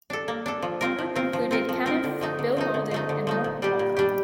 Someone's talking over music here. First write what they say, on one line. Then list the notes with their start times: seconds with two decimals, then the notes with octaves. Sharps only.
The group included Caniff, Bill Mauldin and Mort Walker.
0.10 D4 A4
0.28 A#3
0.46 D4 A4
0.62 F3
0.81 C4 F4 A#4
0.99 F3
1.16 C4 F4 A#4
1.33 F3
1.51 C4 F4 A#4
1.69 F3
1.86 C4 F4 A#4
2.04 D3
2.21 F3 A3 D#4
2.39 D3
2.57 F3 A3 D#4
2.74 D3
2.91 F3 A3 D#4
3.09 D3
3.27 F3 A3 D#4
3.44 A#2
3.62 G3 D4 G4
3.79 A#2
3.97 G3 D4 G4